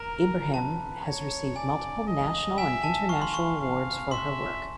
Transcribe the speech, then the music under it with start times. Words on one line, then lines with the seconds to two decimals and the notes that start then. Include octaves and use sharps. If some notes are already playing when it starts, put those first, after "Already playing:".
Ebrahim has received multiple national and international awards for her work.
Already playing: A#4 A#5
0.54 B4 A5
1.04 C#5
1.56 D5 G#5
2.07 D#5
2.58 E5 G#5
2.83 A5
3.09 F5 C#6
3.22 C6
3.34 C#6
3.60 F5
4.11 E5 C6